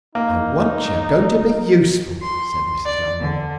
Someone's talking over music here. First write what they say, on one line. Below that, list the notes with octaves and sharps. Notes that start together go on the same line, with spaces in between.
"For once you are going to be useful," said Mrs. Lambole.
A#3 D#4
C6
D5
D3